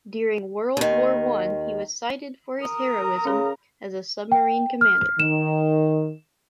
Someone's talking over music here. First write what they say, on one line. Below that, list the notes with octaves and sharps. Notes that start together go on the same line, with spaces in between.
During World War One, he was cited for his heroism as a submarine commander.
D#2 D#3
A#4 A#5 D#6
C#3 C#4 G#4
G5
F6
D#3 E7